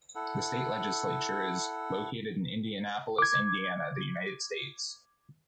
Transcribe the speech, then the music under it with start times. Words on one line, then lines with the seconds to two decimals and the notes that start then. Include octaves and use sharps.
The state legislature is located in Indianapolis, Indiana, the United States.
0.15 E4 A4 F#5
3.19 D6 G#6